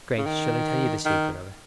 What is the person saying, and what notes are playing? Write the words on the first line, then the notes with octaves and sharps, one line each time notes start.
Grace, shall I tell you the secret of it?
C#3
D#3
D#3